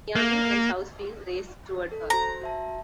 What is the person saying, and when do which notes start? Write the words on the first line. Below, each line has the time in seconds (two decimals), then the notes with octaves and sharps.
"Miami" and "Southfield" raced toward her.
0.15 A#3
1.92 A4
2.10 F#4 C5 A#5
2.42 F#4 E5 A5